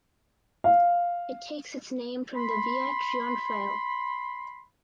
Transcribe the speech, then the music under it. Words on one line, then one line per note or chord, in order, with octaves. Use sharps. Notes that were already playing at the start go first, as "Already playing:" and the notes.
It takes its name from the Via Trionfale.
F5
B5 C6